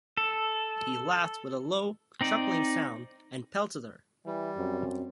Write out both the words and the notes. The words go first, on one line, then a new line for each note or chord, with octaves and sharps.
He laughed with a low, chuckling sound, and pelted her.
A4
C4 D#4 D5
E3 G3
F#2 C4